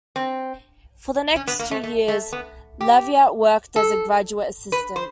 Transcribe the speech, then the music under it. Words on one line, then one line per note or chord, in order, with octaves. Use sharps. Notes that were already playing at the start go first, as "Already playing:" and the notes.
For the next two years, Leavitt worked as a graduate assistant.
C4
C#4
B3
A#3
A3
A3
A3
B3
G4
A4
B4
C5